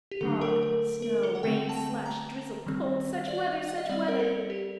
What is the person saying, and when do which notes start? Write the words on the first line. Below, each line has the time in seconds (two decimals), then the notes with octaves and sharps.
Fog, snow, rain, slush, drizzle, cold--such weather! such weather!
0.11 G4
0.21 D3 F#3 A3 D4 A4
0.41 A#4
0.63 A#4
1.02 A#4
1.23 A4
1.35 F#5
1.43 D3 A3 C4 G5
1.69 A5
1.75 G5
2.06 A#5
2.66 D#3 G3 C4
3.28 D5
3.68 F#5
3.78 D#5
3.89 G3 C4 D5
4.08 A#4
4.19 A4
4.50 G4